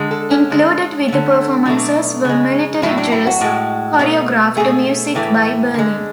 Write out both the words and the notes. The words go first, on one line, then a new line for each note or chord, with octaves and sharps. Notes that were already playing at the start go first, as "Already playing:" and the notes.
Included with the performances were military drills choreographed to music by Berlin.
Already playing: D3 G#3
A4
C#4
D3 G#3
D3 A3
B2 F#3 A3 D4
C#3 G#3
A2 F#3 A3 E4
D4
E4
F#4
A2 G#3
B2 A3
B2 A3 G#4
A2 E3 A3
D3 G#3